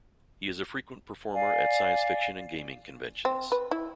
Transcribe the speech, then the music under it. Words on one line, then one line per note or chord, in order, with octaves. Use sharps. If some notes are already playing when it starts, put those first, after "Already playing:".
He is a frequent performer at science fiction and gaming conventions.
D5 F5 G#5
C4
B4
E4